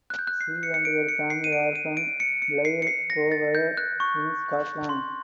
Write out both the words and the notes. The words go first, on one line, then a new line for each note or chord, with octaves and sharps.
She and her family are from Blairgowrie in Scotland.
F#6
G6
F#6
C7
C#7
C#7
D7
C#7
C7
D#7
D7
D#7
D7
C#7
C#7
C7
C#7
C7
A#6
A6
G6
F#6
C#6
C6